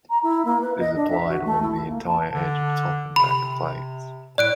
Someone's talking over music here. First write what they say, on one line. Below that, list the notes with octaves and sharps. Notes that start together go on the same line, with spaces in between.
It is applied along the entire edge of top and back plates.
A#5
E4
A#3
B4
D#5
D4
E5
F#4
A3
E4
A#3
A5
D3
C3 B5
A2 D5 F#6 D7